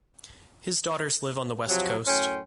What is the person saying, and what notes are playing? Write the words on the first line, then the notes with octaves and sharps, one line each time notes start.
His daughters live on the West Coast.
C3 F3 F#3
F#2 A2 C#4 G5 C6